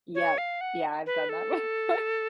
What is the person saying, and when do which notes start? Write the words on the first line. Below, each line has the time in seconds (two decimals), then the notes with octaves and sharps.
Yep, yeah, I've done that before.
0.15 C#5
0.38 F5
0.61 F#5
1.06 B4
1.29 A4